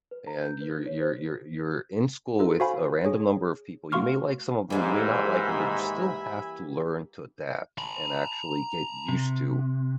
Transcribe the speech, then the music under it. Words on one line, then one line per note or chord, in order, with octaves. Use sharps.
And you're you're you're you're in school with a random number of people you may like some of them, you may not like 'em, but you still have to learn to adapt and actually get used to
B4
A#5
G6
B4
D#4
C#5
C5
D#4 F4 A4
F#4 C5 F5 G#5 B5
G#4 C#5
A3 F#4 F5 C6 C#6 F6
D#2 G#2 E3 G3 A#3 E5 G#5 B5
A#5 B5
C3